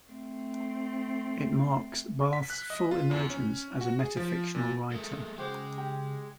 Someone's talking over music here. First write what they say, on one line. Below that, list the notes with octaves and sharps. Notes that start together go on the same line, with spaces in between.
It marks Barth's full emergence as a metafictional writer.
A3 C4
B6
F#6
D#5
F4
E2
C#4
F#4
G#4
F3
A#2
G#3 A3 A#4 D#6
C#3 G#3 F#4 C5 G5 D6
G4